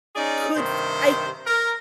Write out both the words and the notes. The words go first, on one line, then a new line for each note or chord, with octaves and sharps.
could f I,
C#4 D#4 G#4 D5
G2 C3 D#3 C5
A#4